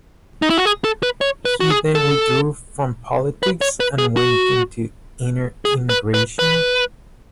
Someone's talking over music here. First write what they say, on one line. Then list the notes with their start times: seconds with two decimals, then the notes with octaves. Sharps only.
He then withdrew from politics and went into "inner emigration".
0.42 D#4
0.50 E4
0.58 F#4
0.66 G#4
0.84 A4
1.03 B4
1.21 C#5
1.45 B4
1.60 F#4
1.70 G#4
1.95 A4
3.43 B4
3.61 C#5
3.80 B4
3.98 G#4
4.17 F#4
5.65 G#4
5.89 B4
6.14 B4
6.39 B4